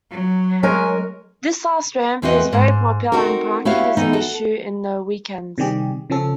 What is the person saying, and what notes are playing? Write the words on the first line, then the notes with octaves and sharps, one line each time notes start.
This last ramp is very popular and parking is an issue in the weekends.
F#3
G#3 C#4 A#4 G#5
E2 E3 C4 F#4 B4 D#5
G#2
C4 D#4 F#4 A4 A#4
A3 E4 F#4 G4 C#5 F5
E3 B3 D#4
F#4 A4
C3 D#3 G3 G4 G#4
C#3 F3 C#4 A4